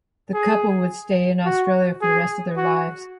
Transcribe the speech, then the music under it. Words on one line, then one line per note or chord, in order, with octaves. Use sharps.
The couple would stay in Australia for the rest of their lives.
G#4
F#4
G#4
F#4